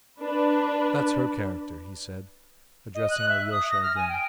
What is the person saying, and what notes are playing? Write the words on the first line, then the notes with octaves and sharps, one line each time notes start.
"That's her character," he said, addressing Alyosha again.
D4 B4
D#5
F#6
E5
D#6
A#6
F6
G#5
G5